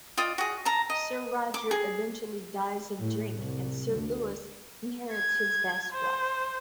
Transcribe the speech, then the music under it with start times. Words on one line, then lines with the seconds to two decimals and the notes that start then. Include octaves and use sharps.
Sir Roger eventually dies of drink and Sir Louis inherits his vast wealth.
0.17 F4 D5 D#5 D#6
0.38 F#4 G#4
0.65 A5 A#5
0.90 D#5
1.54 D6
1.71 G#4
2.99 A2
3.34 C2
3.92 D2
5.13 G#6
5.92 C5